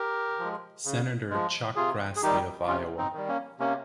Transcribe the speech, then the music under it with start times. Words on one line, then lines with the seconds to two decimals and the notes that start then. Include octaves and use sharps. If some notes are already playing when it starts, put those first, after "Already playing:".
Senator Chuck Grassley of Iowa.
Already playing: G4 A#4
0.39 F3 G#3
0.85 C#3
1.30 F3 G#3
1.76 C3 F4 G#4
2.16 G#4
2.23 D#3 G3 D#4 G4
2.67 C3 C#4 F4
2.98 C4 D#4
3.13 D#3 G3
3.28 A#3 C#4
3.59 C3 A#3 C#4